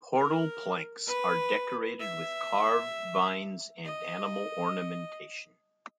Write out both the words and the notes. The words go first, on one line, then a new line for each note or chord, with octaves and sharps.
Portal planks are decorated with carved vines and animal ornamentation.
A#4
B4
E5
D#5